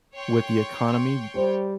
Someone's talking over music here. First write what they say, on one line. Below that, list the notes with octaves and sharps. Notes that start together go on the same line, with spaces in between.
with the economy
C#5 G5 C6
G3 C5